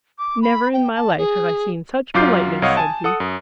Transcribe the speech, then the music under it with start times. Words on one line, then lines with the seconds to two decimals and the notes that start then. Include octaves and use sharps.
"Never in my life have I seen such politeness," said he.
0.19 D6
0.42 B5
0.73 G5
0.95 A5
1.18 G#4
2.14 F#2 F#3 F4 D6 G6 C7
2.62 C2 C#5 D#5 F5 F#5 D#6
2.77 G#5 A5
3.04 A4 F#5 D#6
3.20 F#2